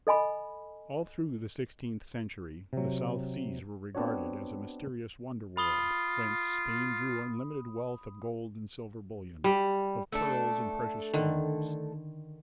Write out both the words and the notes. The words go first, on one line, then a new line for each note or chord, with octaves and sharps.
All through the sixteenth century the South Seas were regarded as a mysterious wonderworld, whence Spain drew unlimited wealth of gold and silver bullion, of pearls and precious stones.
A4 D#5 G#5 B5
C3 F#3
B3 C4 D4 F#4 C#5
F4 B5 D#6 G7
G3
A3 D4 A4
D3 D#3